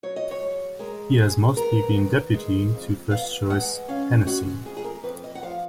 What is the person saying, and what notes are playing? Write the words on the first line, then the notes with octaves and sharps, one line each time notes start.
He has mostly been deputy to first-choice Hennessey.
F#3 C#5
D#5
C#5
G#2
G#3 A#4
G#3 G#4
B3 A#4
D#3
G#3
F2
B3 F5
G#3 F#5
C#4 F5
G#3 F#4
F2 G#4
G#4
A#4
F2 B4
D#5
F#5
F3 F5